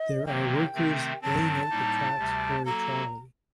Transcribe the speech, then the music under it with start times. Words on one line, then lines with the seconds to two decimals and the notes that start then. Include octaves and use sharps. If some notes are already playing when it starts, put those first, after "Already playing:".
There are workers laying out the tracks for a trolley.
Already playing: D#5
0.26 C3 D#3 F#3 A#3 G5
0.74 C3 D#3 A3 C4
1.21 G2 D#3 F#3 C4 A5
1.70 A2 G3 A#3 D#4
2.18 D2 C3 G3
2.65 F#3 A#3 F#4 A4 A#5